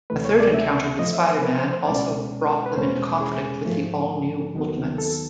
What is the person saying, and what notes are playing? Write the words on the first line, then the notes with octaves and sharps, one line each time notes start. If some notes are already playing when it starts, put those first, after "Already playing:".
A third encounter with Spider-Man also brought them into conflict with the All-New Ultimates.
D2 C3 E3 A3 B4
C#5
D5
E5
A#2 F3 A3 D#5
E5
C5
B4
C5
C5
C#2 B2 G#3 C#4 D5
B4
E2 B2 G#3 C#4 C5
G#4
G#2 F3 A3
D#2 D#3 F#3 B3
A4